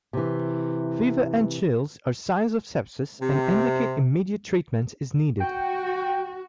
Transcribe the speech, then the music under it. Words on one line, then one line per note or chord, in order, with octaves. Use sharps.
Fever and chills are signs of sepsis and indicate immediate treatment is needed.
C3 E3
C3
F#4 G5